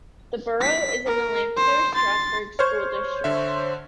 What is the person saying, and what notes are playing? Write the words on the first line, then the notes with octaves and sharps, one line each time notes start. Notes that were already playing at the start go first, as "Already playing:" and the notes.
The borough is in the Lampeter-Strasburg School District.
B6
A#4
C5
C6 A6
C5 C#5 C#6 F6 G#6
D3 E5